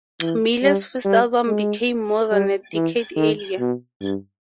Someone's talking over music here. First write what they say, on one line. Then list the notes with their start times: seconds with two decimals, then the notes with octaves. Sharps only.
Miller's first album came more than a decade earlier.
0.21 E3
0.63 G3
1.05 G3
1.47 G#3
2.31 G3
2.74 E3
3.16 D#3
3.59 B2
4.02 G2